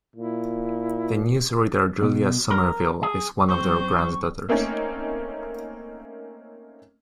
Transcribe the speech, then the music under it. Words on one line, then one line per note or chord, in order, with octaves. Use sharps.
The news reader Julia Somerville is one of their granddaughters.
A#2 E4
B2
A#4
G#4
F#2 C4 C5 C#6
A3 A#3 C4 C#4 D#4